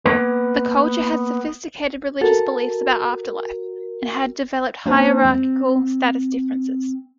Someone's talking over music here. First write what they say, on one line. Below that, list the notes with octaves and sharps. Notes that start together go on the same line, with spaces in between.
The culture had sophisticated religious beliefs about afterlife and had developed hierarchical status differences.
A#3 B3 A#4 B4
F#4 A4 A#4
A#3 C4 D4 G4 B4 C5
C4